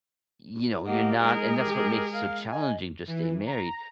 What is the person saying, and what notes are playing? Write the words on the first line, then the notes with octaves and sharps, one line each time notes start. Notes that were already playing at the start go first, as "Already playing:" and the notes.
you know, you're not and that's what makes it so challenging to stay married,
A#3 G4 D#5 F#5
G#3 D#4 G#4 A#4
G4
F5
D#5 G#5
E3
A#5